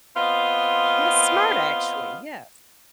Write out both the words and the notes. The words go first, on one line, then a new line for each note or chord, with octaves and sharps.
That's smart actually, yes.
B3 C4 F4 D#5 F5